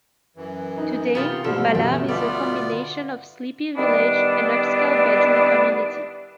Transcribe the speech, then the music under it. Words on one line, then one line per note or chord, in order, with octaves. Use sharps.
Today, Ballard is a combination of sleepy village and upscale bedroom community.
F#2 E3
D#4
C3 B3 F4 G4
G#2 B2 D3 F3 G3 A3 A4
G1 B2 A3 C#4
G3 A3 B3 F4 D5
D#3 G3 B3 D4 E4